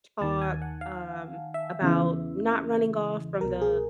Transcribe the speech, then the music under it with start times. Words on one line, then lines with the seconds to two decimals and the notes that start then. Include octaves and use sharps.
talk, um, about not running off from the,
0.21 D#2 D#3 A5
0.41 G#5
0.62 F#5
0.81 F5
1.54 E5
1.82 E2 C#3 E3
3.41 C2 B2 A#4
3.61 G#4